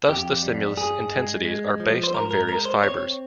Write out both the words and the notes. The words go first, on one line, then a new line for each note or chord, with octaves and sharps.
Thus, the stimulus intensities are based on various fibers.
F2 G4
G3
G2 G#4
G#3
G#3
F3
C5
G#2 A#4
A#4
G#3 A#4
C5
C4 C#5